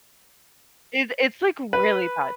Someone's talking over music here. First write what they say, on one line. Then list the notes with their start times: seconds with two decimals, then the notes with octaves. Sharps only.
It it's, like, really bad.
1.73 B4